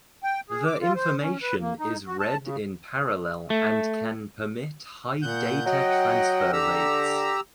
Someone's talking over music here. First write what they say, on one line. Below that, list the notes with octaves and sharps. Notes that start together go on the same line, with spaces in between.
The information is read in parallel and can permit high data transfer rates.
G5
G#4
D6
F4
C5
C#4
B4
A#3
D#4
F#4
A5
C#3
A3
A#2 F#5 G6
F#3 D#5 F#5 G5
D3 G4 A#5 E6